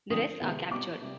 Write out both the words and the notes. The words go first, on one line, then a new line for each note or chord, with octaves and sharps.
The rest are captured.
D3 F3 C4 D#6
C3 D#3 G#3 B3
B2 G3 C4 D6
C3 G3